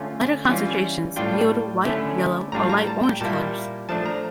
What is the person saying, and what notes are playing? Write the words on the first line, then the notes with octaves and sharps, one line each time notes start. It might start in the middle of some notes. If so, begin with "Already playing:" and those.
Lighter concentrations yield white, yellow, or light orange colors.
Already playing: D3 A3 C#4 F4
E3 G3 C#4 F4
A2 G3 D4 F4 G5
D3 A3 C#4 E4
A2 G3 D4 F4 A#5
A#5
A5
G5
A#2 G3 A#3 E4 A5
F3 A3 D4 A5
A#5